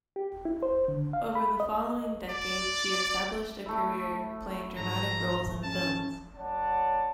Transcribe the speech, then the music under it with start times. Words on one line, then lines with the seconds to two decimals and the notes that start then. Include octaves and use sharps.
Over the following decade she established a career playing dramatic roles in films.
0.16 G4
0.45 E4
0.63 C5
0.88 D3
1.13 F5
1.35 B5
1.60 D#5
2.30 D5
3.66 A3 E4
4.77 G#2 F3 A#5
5.64 C#4 A5
6.36 F#2 C#5 D5 F#5 A5